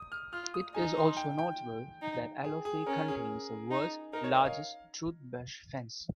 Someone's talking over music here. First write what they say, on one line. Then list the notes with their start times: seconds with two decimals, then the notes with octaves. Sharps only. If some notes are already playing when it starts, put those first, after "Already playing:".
It is also notable that Alofi contains the world's largest toothbrush fence.
Already playing: D#6
0.12 F6
0.33 F4 F6
0.54 D#6
0.75 D#4 G#5
0.97 C6
1.17 G5
1.39 G5
2.02 D#4
2.44 G#4
2.65 G#4
2.87 C#4 A#4
3.08 G#4
3.71 D#4
4.13 D#4 A#4
4.24 C#5
4.34 D#5
4.45 F5